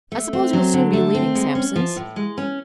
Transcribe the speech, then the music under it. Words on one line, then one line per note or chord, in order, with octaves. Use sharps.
I suppose you'll soon be leaving Sampson's.
A3
C4
F#3
D3
A3
C4
G#3
C#4
F3
A2
G#3
C#4